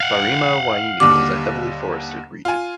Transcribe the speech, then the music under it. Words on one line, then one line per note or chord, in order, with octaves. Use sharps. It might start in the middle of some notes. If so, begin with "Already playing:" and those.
Barima-Waini is a heavily forested region.
F5 F#5
D#2 D3 G3 D6
F4 G#5